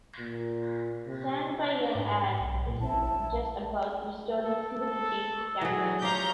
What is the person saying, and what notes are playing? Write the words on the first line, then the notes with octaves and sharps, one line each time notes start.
"Stand by your ad" isn't just about restoring civility to campaigns.
A#2
C3
G#2
B1
A#2
A#1 E4 A5
A#1
A4
A4
E3 F#3 G#4
F3 G4 C#5 F5 A#5 G6